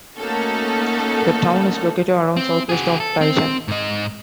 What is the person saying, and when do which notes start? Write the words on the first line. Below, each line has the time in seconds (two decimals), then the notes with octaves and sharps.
The town is located around southwest of Taishan.
0.19 A3 A#3 C#4 D#4 F#4 A4
2.37 C4
2.69 F#4 G#4
3.00 A4
3.21 C4
3.68 G#2 D#5